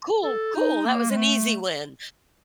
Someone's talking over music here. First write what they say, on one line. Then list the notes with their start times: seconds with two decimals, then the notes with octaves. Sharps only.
Cool, cool. That was an easy win."
0.24 A4
0.55 D#4
0.85 A#3
1.10 G#3
1.16 A3